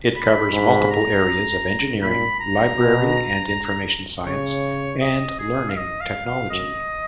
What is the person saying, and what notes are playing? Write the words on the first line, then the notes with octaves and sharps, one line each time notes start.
It covers multiple areas of engineering, library and information science, and learning technology.
B5
G#2 B5
A#5
A#2 B5
A#5
B2
C#3 C#5
D#5
G#4
F5
D#5
F5
F5
F#2 D#5